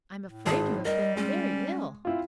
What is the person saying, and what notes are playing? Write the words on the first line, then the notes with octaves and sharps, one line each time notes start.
"I am afraid you have been very ill."
A2
G#1 G#4 A5
G3 A#4 D#5
G#3 C#4
C4 E4 F4